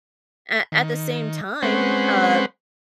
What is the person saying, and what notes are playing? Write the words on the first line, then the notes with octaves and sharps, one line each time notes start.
a at the same time, uh,
D#3
G#3 C4 C#4 B4 C5 F#5